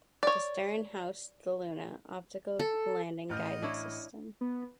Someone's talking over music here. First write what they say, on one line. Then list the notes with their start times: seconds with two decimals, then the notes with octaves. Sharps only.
The stern housed the "Luna" optical landing guidance system.
0.23 C#5 D5
2.59 A4
3.29 A1 D#5 F6 G6
3.62 D4 E4 C#5
4.41 B3